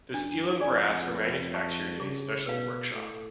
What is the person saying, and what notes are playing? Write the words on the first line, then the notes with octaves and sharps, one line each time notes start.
The steel and brass were manufactured in a special workshop.
F#2 D4
F2 G#4 D5 G#5
B4
F5 A5 C#6
C#3 G#4
B2 B4 F5
A2 A4